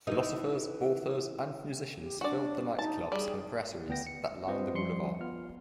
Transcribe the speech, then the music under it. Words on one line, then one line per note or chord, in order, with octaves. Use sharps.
Philosophers, authors and musicians filled the night clubs and brasseries that line the boulevard.
E3 D#4
G4
D4 F#4 D5
D#4 A5
G3 G#4
D2 B3 G5 A#6
C#7
C4 F4 B4 C5 D#5
F3 G3 C6 C#7
B3 F4 F6